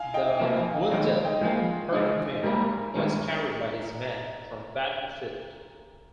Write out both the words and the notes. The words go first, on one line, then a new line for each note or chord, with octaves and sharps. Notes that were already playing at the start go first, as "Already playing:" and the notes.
The wounded Herkimer was carried by his men from the battlefield.
Already playing: F5 G#5
D#5 G5
C3 F3 A#3
F5 G#5
D#5 G5
D#2 D#3 G#3 D#4 C#5 F5
D#5 G5
G#2 F3 A#3 F4 G#4
C#3 G#3 D#4
G#2 G3 A#3 G4 A#4
G2 D#3 G#3 C#4